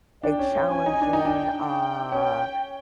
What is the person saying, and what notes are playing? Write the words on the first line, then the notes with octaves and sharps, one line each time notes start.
a challenging, uh
D4 G5
C#4
C#4
C#4 G#5
D#4
D4
D#4 G5
D4
G5
C#4 G5